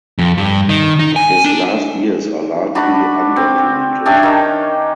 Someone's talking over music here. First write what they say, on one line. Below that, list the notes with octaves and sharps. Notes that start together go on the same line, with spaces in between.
His last years are largely undocumented.
F2
G2
D#3
D#4
G#5
D4
D4 F#4 B5
C4
C#4 D4 G4 E5
D#3